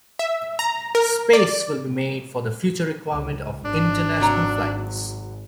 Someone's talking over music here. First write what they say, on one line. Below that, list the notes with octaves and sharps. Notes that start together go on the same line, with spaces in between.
Space will be made for the future requirements of international flights.
E5
A#5
A#4
D5
C#2
G#1 D4
C3 F#3 A#5